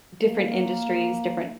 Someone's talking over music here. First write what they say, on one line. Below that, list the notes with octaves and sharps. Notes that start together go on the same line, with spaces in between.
different industries, different
A#3